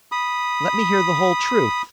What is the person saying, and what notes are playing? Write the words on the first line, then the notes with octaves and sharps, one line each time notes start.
"Let me hear the whole truth."
B5 D#6